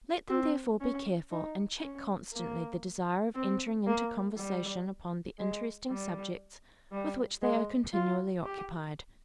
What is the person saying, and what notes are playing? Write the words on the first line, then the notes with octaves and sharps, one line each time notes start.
Let them therefore be careful, and check constantly the desire of entering into conversation upon the interesting subjects with which they are continually occupied.
C4
C#4
D#4
C#4
A#3
C4
A#3
G3
G#3
G3
G3
G#3
F4
G4